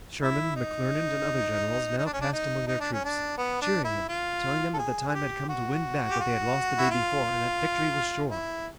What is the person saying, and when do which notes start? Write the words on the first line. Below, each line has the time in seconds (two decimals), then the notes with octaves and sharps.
Sherman, McClernand and other generals now passed among their troops, cheering them, telling them that the time had come to win back what they had lost the day before, and that victory was sure.
0.21 E4
0.56 D#4
1.98 D#4
2.05 D4
2.13 C#4
2.21 D4
2.33 D#4
2.67 D#4
2.80 D4
2.93 C#4
3.04 D4
3.38 B3
3.61 D4
3.84 E4
4.09 F4
4.74 A4
4.78 G#4
5.08 G#4
5.14 G4
5.49 F#4
6.10 G4
6.19 F#4
6.78 E4
6.90 F4
8.30 E4